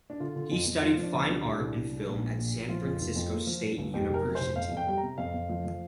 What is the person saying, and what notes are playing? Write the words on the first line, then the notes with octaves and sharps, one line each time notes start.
He studied fine art and film at San Francisco State University.
D4
D3 F4
D3
F2
F2
F3 F4
F3
D4
D2
D4
C3
C2
C2
C2
C2
A#1
A#2
A#1
A#1
F3 F4
F2
F1
F2
A#3
F3
G2
G1
F2 G4
G4
F1 A#4
C3
C5
F1
F2 F5
F2
G5
G3 G5
A#5
C3
F2 F5
F2
F3
F3